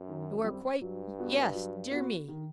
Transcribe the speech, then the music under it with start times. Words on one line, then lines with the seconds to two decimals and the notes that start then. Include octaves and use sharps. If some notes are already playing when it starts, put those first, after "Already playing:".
You are quite--yes--dear me!'
Already playing: F#2
0.08 D#3
0.44 G3 C4
0.81 G2 F#3
1.18 B3 F#4
1.54 F#3
1.91 B3 F#4
2.28 D#3